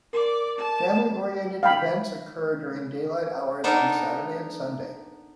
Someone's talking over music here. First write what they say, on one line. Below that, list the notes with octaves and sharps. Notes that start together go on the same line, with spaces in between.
Family-oriented events occur during daylight hours on Saturday and Sunday.
A#4 D5 D6
A5
F5 G5 B5
B3 D4 D#4 A4 A#4